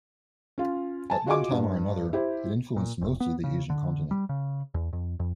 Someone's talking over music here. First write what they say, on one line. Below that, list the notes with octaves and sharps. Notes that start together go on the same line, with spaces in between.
At one time or another, it influenced most of the Asian continent.
C#4 F4
G#5 A5
F4 F#4 G#4 D#5 G#5 D6
G2
E4 G4 C5
A#2
F1
B3
C#3
D3
G3
C#3
E2
F2
F2